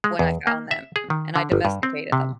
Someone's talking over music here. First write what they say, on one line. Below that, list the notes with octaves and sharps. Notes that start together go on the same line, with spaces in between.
when I found them and I domesticated them.
G#3
E2
A#3
E5
G#4
D#3
D3
G1
G2
C4
C3